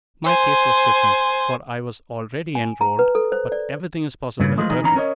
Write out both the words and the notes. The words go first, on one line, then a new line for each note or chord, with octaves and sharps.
My case was different, for I was already enrolled; but everything is possible in Turkey.
C5 G#5
G#5
A#5
B4
A4
C5
D5
G2 C#3
E3 F3 G#3 A3
E3 D#4 G#4
E3 C#4 D#4 A#5
C#4 A#4 C5 C#5 D#5